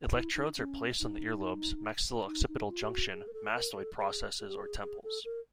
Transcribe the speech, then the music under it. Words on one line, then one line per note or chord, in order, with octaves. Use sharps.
Electrodes are placed on the ear lobes, maxilla-occipital junction, mastoid processes or temples.
E4
D#4
C#4
D#4
D#4
D#4
F4
G4
F#4
G#4
A#4
A4
A#4
A4
G#4
G#4
G4
G#4
G#4
A4
A#4